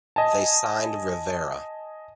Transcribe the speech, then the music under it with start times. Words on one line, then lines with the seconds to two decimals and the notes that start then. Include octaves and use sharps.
They signed Rivera.
0.16 D#5 G#5 A5